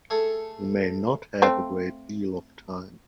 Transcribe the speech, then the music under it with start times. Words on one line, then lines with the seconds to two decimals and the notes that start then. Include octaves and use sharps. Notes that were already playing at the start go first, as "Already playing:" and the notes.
You may not have a great deal of time.
0.10 A3 G#4 A4
1.42 A3 C4 F5